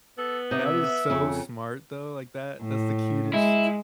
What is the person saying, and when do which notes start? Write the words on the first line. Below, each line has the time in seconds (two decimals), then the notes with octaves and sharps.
That is so smart, though, like, that that's the cutest
0.18 B3 A4
0.51 C3 D#4
0.66 E5
1.10 F2 C#3
2.63 A2
3.34 G#3 E4